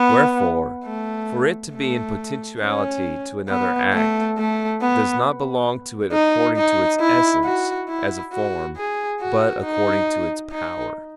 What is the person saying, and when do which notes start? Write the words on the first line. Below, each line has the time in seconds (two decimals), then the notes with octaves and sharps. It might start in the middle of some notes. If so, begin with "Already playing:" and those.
Wherefore, for it to be in potentiality to another act, does not belong to it according to its essence, as a form, but according to its power.
Already playing: B3
0.85 A3
1.74 A3
2.61 C#4
3.49 B3
3.94 A3
4.38 A3
4.81 B3
6.12 D#4
6.57 D#4
7.00 E4
7.44 F#4
7.89 E4
8.32 F#4
8.77 G#4
9.21 F#4
9.64 D#4
10.52 D#4